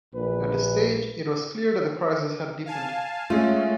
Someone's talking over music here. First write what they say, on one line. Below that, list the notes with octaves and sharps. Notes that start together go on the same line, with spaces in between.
At this stage, it was clear that the crisis had deepened.
A#1 A#2 F#3 B4
F5 G#5 A5
G#3 A3 C#4 F4